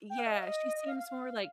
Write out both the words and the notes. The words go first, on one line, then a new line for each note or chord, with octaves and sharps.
Yeah, she seems more, like,
G5
F5
D#5
F5
D#5
D#5
F5
F5
F5